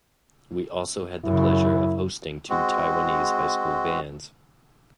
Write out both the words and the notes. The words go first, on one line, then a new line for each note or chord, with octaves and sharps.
We also had the pleasure of hosting two Taiwanese High School bands.
F#2 C#3 E4
G#3 C4 F#4